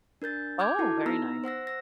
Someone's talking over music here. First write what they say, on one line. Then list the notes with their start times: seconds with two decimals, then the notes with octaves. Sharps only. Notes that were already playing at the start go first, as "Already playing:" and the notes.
Oh, very nice.
0.22 D4 A#4 G6 A6
0.59 D6 F6 G6 G#6
0.79 E4 F#4 A4 A5
1.06 B3 D#4 A#5 E6 F6 A#6
1.44 C5 F#5 E6 A#6
1.67 E6 A#6